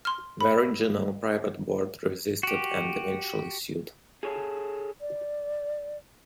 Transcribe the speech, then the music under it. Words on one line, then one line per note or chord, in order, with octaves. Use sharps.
The original, private Board resisted and eventually sued.
C6 F6
B5
F#4 G4
G#4 A4 C#5
D5